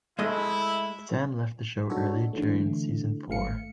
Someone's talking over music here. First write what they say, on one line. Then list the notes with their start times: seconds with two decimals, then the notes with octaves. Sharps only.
Sam left the show early during season four.
0.19 G#3 A3 E4 D#5
1.90 D4 D#4 F#4 A4 C#5
2.33 D3 E3 A3
3.28 G#1 A3 F5 C#7